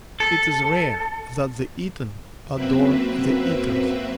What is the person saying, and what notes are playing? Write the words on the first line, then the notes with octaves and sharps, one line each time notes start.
It is rare that the eaten adore the eaters.
A4
F#2 F#3 A#3 C4 B4 E5